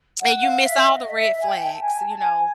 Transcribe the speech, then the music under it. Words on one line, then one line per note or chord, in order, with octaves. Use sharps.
and you miss all the red flags, you know?
F#5
F5
E5
D#5
E5
E5
G#5
G5
A5
G#5
A5
A5
G#5